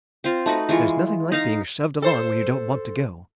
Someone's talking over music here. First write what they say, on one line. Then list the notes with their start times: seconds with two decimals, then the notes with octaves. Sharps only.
There's nothing like being shoved along when you don't want to go.
0.24 C4 F4
0.46 A3 D#4 F#4 B4
0.69 E3 G#3 F4 C#6
1.32 D#4 F5 A#5
2.02 A4 C5